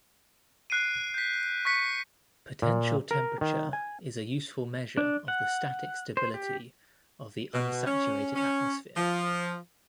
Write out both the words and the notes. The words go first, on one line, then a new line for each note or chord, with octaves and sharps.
Potential temperature is a useful measure of the static stability of the unsaturated atmosphere.
F#6 C7 D7 D#7
G6 B6
C#6 F#6 B6 C#7
A#2
A#4
D#3
G#5
D4
F#5
C5
G4
B2
C#4
C#4
F3